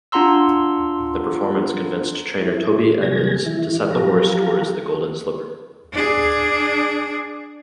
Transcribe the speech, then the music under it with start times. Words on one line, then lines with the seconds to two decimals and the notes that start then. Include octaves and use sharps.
The performance convinced trainer Toby Edmonds to set the horse towards the Golden Slipper.
0.12 D4 F4 F#5 A#5 C6 E6
2.42 E4
3.02 C3 F#3 G3 G#4 G#6 A#6
3.46 E3 E4
3.90 F3 F#3 G4 A4 F5 A#5
5.92 D4 G#4